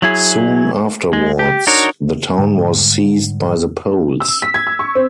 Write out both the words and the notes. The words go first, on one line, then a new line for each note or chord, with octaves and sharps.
Soon afterwards, the town was seized by the Poles.
F#3 E4 G#4
G#3
G4
D4 D#4 F#4 A#4 C#5
G#2 D3 G3
E6
B6
G#6
E6
C#6
C4